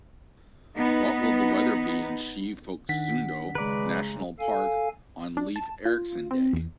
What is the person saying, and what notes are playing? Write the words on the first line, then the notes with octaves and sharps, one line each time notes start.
What will the weather be in Sche-Phoksundo-Nationalpark on leif erikson day?
B3 D#4
D#3 D4 F#5 B6
C#3 G#3 B4 D5 A#5
A4 F5 G#5
D4
A5
F4
C4
E2